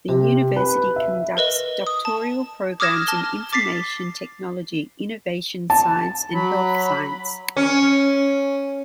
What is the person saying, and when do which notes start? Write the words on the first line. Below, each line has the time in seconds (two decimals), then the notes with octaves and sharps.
The university conducts doctoral programmes in Information Technology, Innovation Science and Health Science.
0.09 C3
0.56 B4
0.96 E5
1.37 A#4 B4 D#5 G7
1.87 D#6
2.05 A5
2.80 D6 D#6 F6 G#6 A#6 E7
3.07 A5 F6 G7
3.53 D6 A6 B6 C7
5.70 A5
6.33 F#3 B5
7.57 C#4